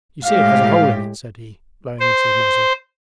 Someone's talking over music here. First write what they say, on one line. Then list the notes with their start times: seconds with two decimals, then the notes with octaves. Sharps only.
You see it has a hole in it,' said he, blowing into the muzzle.
0.23 A2 G#3 G4 F5
2.00 C5